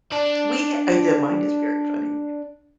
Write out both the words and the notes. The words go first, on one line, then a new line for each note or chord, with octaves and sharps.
we h I the mind is very funny.
D4 D5